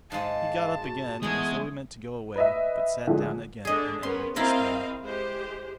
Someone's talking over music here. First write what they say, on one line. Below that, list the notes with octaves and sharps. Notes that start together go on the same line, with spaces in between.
He got up again as though he meant to go away, but sat down again in evident despair.
G#2 G#3 F5 A5
F#4
E3 G#3 A3 B3 D#6 G#6
B4 D#5 E5
D3 F3 G#3
D3 D4 G#4 D#5
B3 C#4 A#4 C6
C4 E4 F4 A#4 D#5 F5
G#3 G4 C5